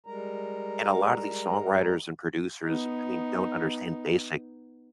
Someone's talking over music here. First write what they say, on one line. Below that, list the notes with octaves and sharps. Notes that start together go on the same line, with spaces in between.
and a lotta these songwriters and producers, I mean, don't understand basic
G3 G#3 A#4 A#5
B3 D#4